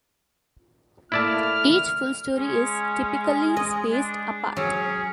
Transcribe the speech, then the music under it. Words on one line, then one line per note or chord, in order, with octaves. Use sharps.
Each full story is typically spaced apart.
A3 A#3 E4 D5 A5 F6
G#3 C#4
D#5
D4
F#3 C#4 G#4